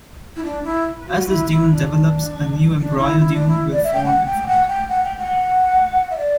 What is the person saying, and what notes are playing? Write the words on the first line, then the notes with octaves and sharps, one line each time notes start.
As this dune develops, a new Embryo dune will form in front.
E4
D4
E4
F#4
E4
E4
D4
D4
E4
E4
D4
E4
D5
E5
G5
F#5
G5
F#5
G5
F#5
G5
F#5
E5
D5